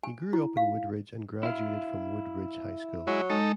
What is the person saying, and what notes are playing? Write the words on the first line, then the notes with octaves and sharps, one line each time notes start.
He grew up in Wood-Ridge and graduated from Wood-Ridge High School.
G#5
E4
F5
E4 F5
F#3 G#3 E4
G#3 D#4 A4